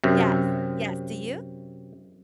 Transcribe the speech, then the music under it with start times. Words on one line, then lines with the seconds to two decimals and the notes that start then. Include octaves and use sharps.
Yes, yes, do you?
0.04 F#2 C3